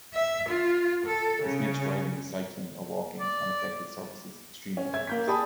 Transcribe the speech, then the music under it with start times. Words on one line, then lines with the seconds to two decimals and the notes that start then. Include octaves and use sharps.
This makes driving, cycling or walking on affected surfaces extremely dangerous.
0.14 E5
0.48 F4
1.06 A4
1.42 C#3
3.20 D5
4.77 C#4
4.94 E5 G#6
5.07 A#3 G6 B6
5.27 G4 G#4 D5 A5 B5 D#6